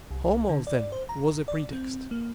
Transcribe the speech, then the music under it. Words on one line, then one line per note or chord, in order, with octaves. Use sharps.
Homo, then, was a pretext.
C2
D3
D5
C5
A#5
D5
C4
A#3